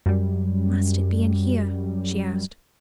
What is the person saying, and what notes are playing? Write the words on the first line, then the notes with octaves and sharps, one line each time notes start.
"Must it be in here?" she asked.
F#2 G3